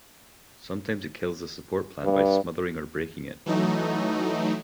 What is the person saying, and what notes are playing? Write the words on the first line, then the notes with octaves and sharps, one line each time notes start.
Sometimes it kills the support plant by smothering or breaking it.
G2
E3 F#3 A3 D#4